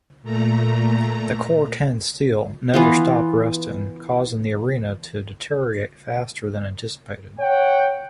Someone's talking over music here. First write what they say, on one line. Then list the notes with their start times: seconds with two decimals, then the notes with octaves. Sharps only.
The Cor-Ten steel never stopped rusting, causing the arena to deteriorate faster than anticipated.
0.23 A#2 A3 A#5
2.74 E3 B3 F4
7.40 C#5 F#5 G5